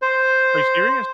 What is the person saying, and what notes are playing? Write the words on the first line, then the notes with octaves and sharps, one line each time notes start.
Are you serious?
C5